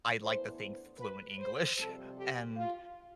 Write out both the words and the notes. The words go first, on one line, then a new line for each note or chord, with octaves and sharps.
I like to think fluent English, and
A2 E3 B3 D4 C5
B4
C5
F2 C3 G3 C4 A4
G4
F4